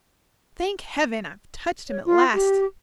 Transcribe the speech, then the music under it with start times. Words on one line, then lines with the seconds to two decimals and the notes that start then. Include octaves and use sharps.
Thank Heaven, I've touched him at last!
1.89 C#5
2.05 F4
2.33 G4